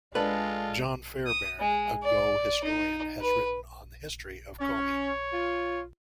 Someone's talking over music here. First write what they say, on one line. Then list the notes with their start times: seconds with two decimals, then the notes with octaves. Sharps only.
John Fairbairn, a Go historian, has written on the History of Komi.
0.15 G#3 D4 F4 A4 B4
1.27 D#6
1.60 G#3
2.03 D5
2.63 D#4
3.21 B4
4.61 C#4 C#5
5.33 F4